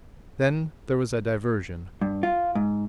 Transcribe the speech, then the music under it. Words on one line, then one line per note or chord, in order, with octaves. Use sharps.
Then there was a diversion.
G2
F4
G#2